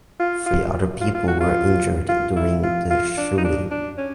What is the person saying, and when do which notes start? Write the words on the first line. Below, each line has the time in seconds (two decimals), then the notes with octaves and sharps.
Three other people were injured during the shooting.
0.20 F4
0.46 F4
1.01 F4
1.15 F4
1.28 F#4
1.41 F4
2.09 F4
2.36 E4
2.63 F4
2.91 F4
3.17 D4
3.38 D#4
3.45 D4
3.71 D4
3.98 C#4